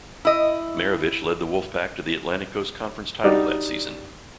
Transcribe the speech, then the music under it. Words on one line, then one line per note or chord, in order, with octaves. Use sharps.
Maravich led the Wolfpack to the Atlantic Coast Conference title that season.
E4 D#5
G3 D4 D#4 F#4 D5